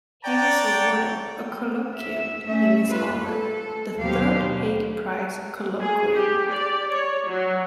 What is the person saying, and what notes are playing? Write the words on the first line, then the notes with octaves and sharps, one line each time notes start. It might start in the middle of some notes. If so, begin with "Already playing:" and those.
He was awarded a colloquium in his honour: The Third Hague Prize Colloquium.
C#5 D5 F#5 G5 A5 A#5
E5
A3 C#4 E5
G3 A3 F4 B4
A4
D#2 B2 F#3 G4 C5 F5
G#4
G4
D5
C#5
F#3